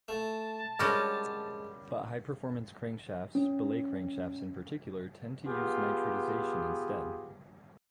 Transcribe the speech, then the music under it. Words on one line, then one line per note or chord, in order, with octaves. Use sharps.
But high performance crankshafts, billet crankshafts in particular, tend to use nitridization instead.
A3 A5
G3 G#3 C#4 F#4 A#4
C#4
B3 F4 G4 G#4